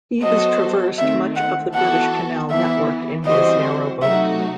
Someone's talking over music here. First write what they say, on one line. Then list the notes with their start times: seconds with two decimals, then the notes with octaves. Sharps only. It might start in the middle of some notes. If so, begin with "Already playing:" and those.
He has traversed much of the British canal network in his narrowboat.
0.22 F#3 B3 F#4 A4 C5 D#5
0.97 D#3 A3 C4 E5
1.36 F#5
1.74 E3 B3 F#4 A4 F#5
2.50 E3 B3 E4 E5
3.25 E3 G3 C4 F#4 C5 D#5
4.01 C3 F#3 A3 D#4 F#4 E5